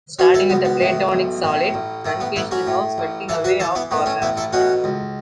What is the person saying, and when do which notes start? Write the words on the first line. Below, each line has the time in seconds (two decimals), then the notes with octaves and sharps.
Starting with a Platonic solid, truncation involves cutting away of corners.
0.19 B2 C#4 F#4
0.34 E4 A4
0.50 C#2 B3
0.65 B3
0.81 A2
1.12 B1
1.44 A2
1.74 A1
2.05 A2 A3
2.20 B3
2.36 A1 B3 E4
2.51 C#4 F#4
2.67 A2
2.98 A1
3.29 E3 E4 A4
3.44 F#4 B4
3.60 E3 E4 A4
3.75 B3 E4
3.91 A2 B3
4.06 A3 C#4
4.22 A1 B3 E4
4.37 E4 A4
4.53 B2 C#4 F#4
4.84 C#2